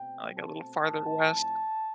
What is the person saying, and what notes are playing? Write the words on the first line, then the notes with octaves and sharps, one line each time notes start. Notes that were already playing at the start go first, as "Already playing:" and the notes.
like, a little farther west.
Already playing: B2 A3 C4 G5
A5
A2 F3 C4 A5